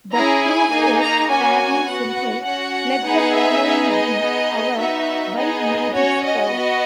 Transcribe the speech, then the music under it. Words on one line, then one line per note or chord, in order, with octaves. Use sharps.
The proof is fairly simple: let the following be our bimagic square.
C#4 E4 G#4 A#5
G#5
A#3 D#4 G#4
A#5
A#3 C#4 F#4 G#5
B3 F#4 F#5
C#4 F#4 F#5
B3 D#4 G#4
E5
B3 D#4 G#4
D#5
B3 D#4 G#4
B3 D#4 F#4 E5
B3 D#4 G#4 D#5
C#4 F#4 C#5
D#5
B3 F#4